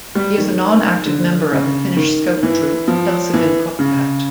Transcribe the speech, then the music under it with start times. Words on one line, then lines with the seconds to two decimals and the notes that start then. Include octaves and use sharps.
He is a non-active member of a Finnish scout troop Helsingin Kotkat.
0.15 G3
0.37 D#3
1.06 D3
1.52 C#3
1.96 D#3
2.43 E3
2.88 F3
3.34 E3
3.79 C#3